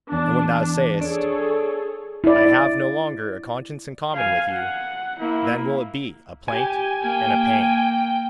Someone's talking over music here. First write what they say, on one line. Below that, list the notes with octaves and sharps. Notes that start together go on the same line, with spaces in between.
And when thou sayest, "I have no longer a conscience in common with you," then will it be a plaint and a pain.
E2 D4
D4 G#4 A4 C#5
E4 D5
F5 G#5
F#5
A#3 E4
G4 G#5
A#3 G5 G#5